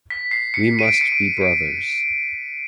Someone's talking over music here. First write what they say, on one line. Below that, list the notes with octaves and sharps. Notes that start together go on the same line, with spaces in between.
We must be brothers.
B6
C7
C#7
D#7
D7
C#7
D7
D7